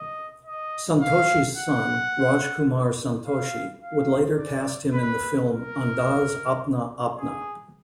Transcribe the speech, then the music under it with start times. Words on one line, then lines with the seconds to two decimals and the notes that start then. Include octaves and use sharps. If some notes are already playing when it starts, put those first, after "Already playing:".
Santoshi's son, Rajkumar Santoshi, would later cast him in the film "Andaz Apna Apna".
Already playing: D#5
0.46 D#5
1.02 F5
1.57 F#5
3.26 F5
3.82 F5
4.37 D5
4.93 B4
5.49 A#4
7.17 G#4